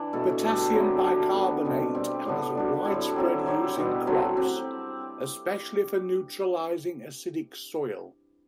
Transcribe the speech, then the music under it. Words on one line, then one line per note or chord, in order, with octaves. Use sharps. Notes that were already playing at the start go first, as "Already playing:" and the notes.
Potassium bicarbonate has widespread use in crops, especially for neutralizing acidic soil.
Already playing: E3 D4
B2 A3 E4 A4
G3 D4 A4
F#3 C4 G4
G3 D4 F#4
D3 G3 B3
B2 G3 C4
G3 C4 G4
A2 G3 B3 D4
G3 D4 F#4
A2 G3 C4 E4
F#3 C4 E4
F#3 C4 E4 G4
B2 G3 B3
F#3 A3 C4 F#4
C4 G4